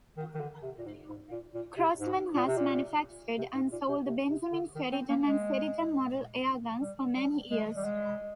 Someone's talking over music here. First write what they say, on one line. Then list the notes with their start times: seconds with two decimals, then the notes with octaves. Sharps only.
Crosman has manufactured and sold the Benjamin-Sheridan and Sheridan model airguns for many years.
0.17 D#3
0.34 D#3
0.40 D3
0.62 C3
0.78 A#2
0.85 G#2
1.08 G#2
1.31 A#2
1.54 A#2
1.77 C3
2.00 G#2
2.35 A#2
2.46 C3
2.57 A#2
3.38 C3
3.55 G#2
3.72 A#2
3.89 C3
4.06 C3
4.29 C3
4.52 D3
4.75 D#3
4.92 C4
5.09 A#3
5.26 G#3
6.81 G3
7.16 G3
7.50 G#3
7.76 G3
7.85 G#3